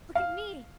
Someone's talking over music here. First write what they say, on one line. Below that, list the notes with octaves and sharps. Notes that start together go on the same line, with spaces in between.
"Look at me!"
F5